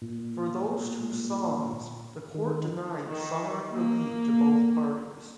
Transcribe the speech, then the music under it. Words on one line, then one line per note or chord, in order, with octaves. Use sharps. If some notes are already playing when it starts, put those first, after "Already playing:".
For those two songs, the court denied summary relief to both parties.
A#2
D#3
D#3
A#3